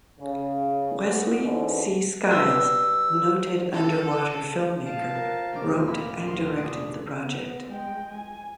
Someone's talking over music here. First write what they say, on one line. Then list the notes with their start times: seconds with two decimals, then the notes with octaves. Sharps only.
Wesley C. Skiles, noted underwater filmmaker, wrote and directed the project.
0.18 C#3
1.06 D2 B3 F#4
1.41 G#2 B2 D3 E3 C#4
2.31 G2 E6
3.72 A4
4.86 F3 F5 A5
5.15 A#4
5.52 F1 F#2 D#3 D4 D6 F6
5.87 A#2 B5
6.27 D2 A#4 C6
6.56 F1 C#3 D4 G#4
7.19 B3
7.68 G#3 G5
8.11 G#5